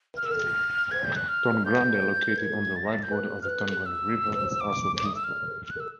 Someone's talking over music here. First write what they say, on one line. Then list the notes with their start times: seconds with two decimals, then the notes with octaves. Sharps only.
Tonnegrande, located on the right border of the Tonnegrande River is also peaceful.
0.17 F6
0.25 E6
0.31 F6
0.91 G#6
1.04 G6
1.16 F#6
1.28 F6
1.65 G6
2.38 G#6
2.76 A6
2.85 A#6
2.93 A6
3.03 G6
3.13 F#6
3.42 F6
3.49 F#6
3.86 E6
4.61 D6
4.96 D6
5.06 D#6
5.15 E6
5.24 F6
5.66 F6
5.71 F#6
5.80 E6